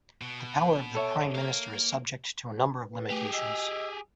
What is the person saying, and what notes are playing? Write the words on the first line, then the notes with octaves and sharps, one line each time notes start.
The power of the prime minister is subject to a number of limitations.
B2
A4 C#5 E5
A#3 F5
B4
A3 G4 G#4
D#5 E6